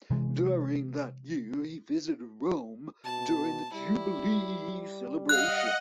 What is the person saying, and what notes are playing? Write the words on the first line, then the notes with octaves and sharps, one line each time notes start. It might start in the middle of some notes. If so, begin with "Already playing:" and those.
During that year he visited Rome during the jubilee celebration.
C3 E3 G#3
B2 A5
G3 E4
D#5 F5 F#5 F#6